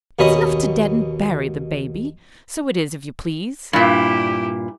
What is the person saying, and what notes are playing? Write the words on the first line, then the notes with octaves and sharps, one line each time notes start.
"It's enough to dead and bury the Baby, so it is if you please."
D#2 B2 C#4 D#5 B5 D#6
G2 A#2 E4 G4